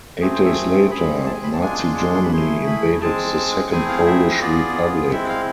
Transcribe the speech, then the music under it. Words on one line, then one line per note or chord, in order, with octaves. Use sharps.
Eight days later, Nazi Germany invaded the Second Polish Republic.
A3 C4 G#4
C5
E5
C4 G#4 B5
A5
G#5
B5
A5
G#3 D4 F4 G#4 G#5
C6
C6
C6
B5
A3 E4 G#4 C6
B5
G#3 C4 G#4 A5
A3 C4 E4 G#4 G#5
F5
E5
B3 F4 G#4 D5
G#3 C4 E4 E5
F5